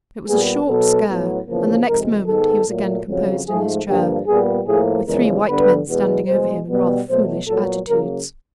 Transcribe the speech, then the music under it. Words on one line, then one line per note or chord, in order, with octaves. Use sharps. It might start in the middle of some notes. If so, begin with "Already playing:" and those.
It was a short scare, and the next moment he was again composed in his chair, with three white men standing over him in rather foolish attitudes.
A#2 G3 B3 G#4
B2 F#3 B3 A4
A2 F#3 B3
E2 C#3 F3 A#3
F2 C3 D#3 G#3 A#4
G#2 D#3 G#3 B3 A4
A#2 F#3 A3
F2 C#3 F#3
G#2 F3 A3 G#4
G2 D3 F3 A#3 G4
A#2 G3 B3 G#4
A2 F3 A#3 G#4
E2 C#3 F3 G#3 A#4
G2 D3 G3 B3 B4
E2 B2 G#3 B3
E2 B2 G#3 C5
B2 G3 B3
B2 F#3 A3 C5
A#2 F#3 B3 A4
C#3 F#3 A#3 A#4